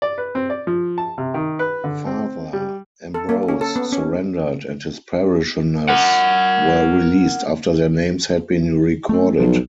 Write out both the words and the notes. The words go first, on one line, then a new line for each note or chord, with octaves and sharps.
Father Ambrose surrendered, and his parishioners were released after their names had been recorded.
D5
B4
C4
D5
F3
A5
C3
D#3
B4
D3
C4
G3
A4
A#3
C#4
A4
B3
C#4
A#4 F#5
A3 C4
B1 F3